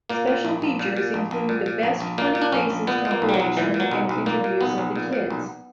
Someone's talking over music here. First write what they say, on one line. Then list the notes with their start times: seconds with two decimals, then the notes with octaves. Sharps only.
Special features include the "Best Funny Faces" compilation and interviews of the kids.
0.09 A#2 A#3
0.27 A#2
0.45 A#1
0.62 A#1
0.79 A#2
0.97 A#2
1.14 A#1
1.31 A#1
1.49 A#2
1.66 A#2
1.83 A#1
2.00 A#1
2.18 A#2 A#3
2.35 A#2
2.42 D4
2.52 A#1 C#4
2.70 A#1
2.87 A#2 B3
3.05 A#2
3.11 A#3
3.22 B1
3.29 G3
3.34 F#3
3.40 B1
3.57 A#2 E3
3.74 A#2
3.80 F#3
3.91 B1
4.09 B1
4.26 A#2 A#3
4.44 A#2
4.61 B1 B3
4.78 B1
4.96 A#2
5.13 A#2
5.30 B1